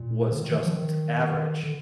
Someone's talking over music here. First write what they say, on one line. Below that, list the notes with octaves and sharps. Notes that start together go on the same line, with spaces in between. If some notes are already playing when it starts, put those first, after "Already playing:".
was just average,
Already playing: A#2
D3
D#3
D#3
F3
D#3
D3